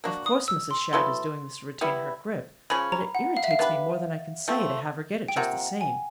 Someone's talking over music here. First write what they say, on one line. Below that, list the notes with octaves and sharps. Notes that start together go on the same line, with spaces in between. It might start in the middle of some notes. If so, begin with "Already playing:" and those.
Of course Mrs. Shadd is doing this to retain her grip, but it irritates me more than I can say to have her get it just the same.
A#3 D4 F#4
D#6
E6
C6
F#3 B3 E4 A4 C6
G3 B3 E4
C#3 F3 G#3 C#4 B5
A#5
F#5
F5
E5
F5
B3 D4 G4 B4
F3 A3 C4
G5
C3 F3 A#3 F#5
G#5